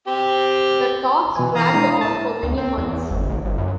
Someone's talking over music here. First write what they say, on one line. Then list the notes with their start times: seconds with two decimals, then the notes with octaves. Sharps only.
The talks dragged on for many months.
0.07 C4 G4
1.36 B2 E3 G#5
1.55 E3 F5 A#5 D#6
1.74 G#3 D4 E4
2.01 A2 A3 A5 A6
2.43 D2
2.57 C4
2.78 E2
2.92 E2
3.10 G1
3.30 A1
3.45 G1
3.58 F#2